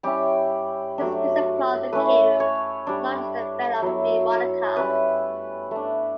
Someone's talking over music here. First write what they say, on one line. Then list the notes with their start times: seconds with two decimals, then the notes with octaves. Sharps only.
This piece of cloth became known as the Veil of Veronica.
0.03 G3 C#4 E4 G4
0.98 F#3 A3 D4
1.92 A3 C#4 E4 B4
2.40 C#5
2.87 G3 D4
3.82 F#3 B3 E4
4.76 G3 C#4 E4 B4
5.71 A3 D4